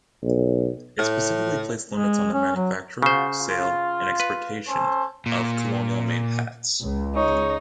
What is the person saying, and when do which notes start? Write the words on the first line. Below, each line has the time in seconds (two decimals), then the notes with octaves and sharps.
It specifically placed limits on the manufacture, sale, and exportation of colonial-made hats.
0.23 B1
0.99 A2
1.91 G#3
2.34 C#4
2.56 F#3
3.02 C#3 F4 F#4 C5
3.40 F4
4.20 B4
4.68 C#4 A4 C5
5.26 A#2
6.83 C#2
7.16 D#4 C#5